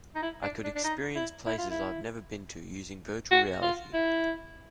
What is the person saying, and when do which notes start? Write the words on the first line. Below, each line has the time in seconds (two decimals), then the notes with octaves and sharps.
I could experience places I've never been to using virtual reality.
0.15 D#4
0.22 E4
0.43 D4
0.64 D4
0.75 D4
0.84 D#4
1.15 E4
1.46 E4
1.58 F4
1.70 E4
3.31 F#4
3.62 F4
3.94 E4